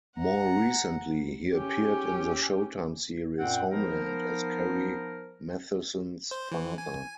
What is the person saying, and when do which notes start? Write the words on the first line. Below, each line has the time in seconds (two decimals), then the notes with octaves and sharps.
More recently, he appeared in the Showtime series "Homeland" as Carrie Mathison's father.
0.16 F#5 A#5
1.53 C#4 G4
3.38 F#2 A#2 C4 F#5 G5
3.72 F3 B3 D#4 A#4 C5
6.31 C5
6.52 E3
6.78 G#5